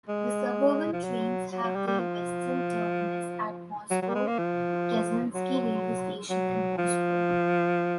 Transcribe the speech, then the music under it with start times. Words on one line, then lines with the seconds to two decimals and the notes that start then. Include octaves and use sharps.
The suburban trains have their western terminus at Moscow Kazansky railway station in Moscow.
0.09 G#3
0.93 F3
1.04 F#3
1.52 F#3
1.64 F#3
1.76 G3
1.88 G3
2.00 F3
3.91 F#3
4.02 F#3
4.09 G3
4.15 G#3
4.27 A#3
4.39 F3
5.34 F#3
6.30 F#3
6.78 F3